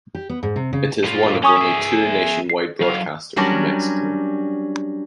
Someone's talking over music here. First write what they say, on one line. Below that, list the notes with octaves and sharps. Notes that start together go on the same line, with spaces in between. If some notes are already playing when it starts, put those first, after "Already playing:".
It is one of only two nationwide broadcasters in Mexico.
G4
B3
G#2
C3
C#3
A2 F4
C#4 G#5 C#6 D#6
G#4 E5
C7
F#2 F5
F#3 G3 C#4 D4 A#4 C#5